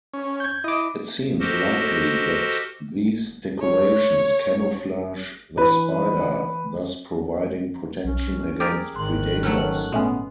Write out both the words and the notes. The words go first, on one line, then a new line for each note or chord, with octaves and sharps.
It seems likely that these decorations camouflage the spider, thus providing protection against predators.
C#4
G6 G#6
E4 D#5 D6
F#4 G4 A4 A#4 C5 D#5
C#5
E3 B4
B1 C#4
G4 G#4 A#4 D6 E6 A6
G#1 D#3 C6 F#6
F#3 A3 C#4
A#2 G#3 A3 B3 C#4